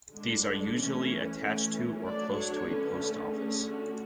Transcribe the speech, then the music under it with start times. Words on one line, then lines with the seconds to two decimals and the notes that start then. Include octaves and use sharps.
These are usually attached to, or close to a post office.
0.12 D3 G#3 D4
0.75 E3 A3 C#4
1.40 E3 A3 C#4
2.04 F#3 A3 D4 D5
2.36 C#5
2.67 D3 A3 C#4 B4
3.00 A4
3.31 D3 A3 C#4 G#4
3.64 F#4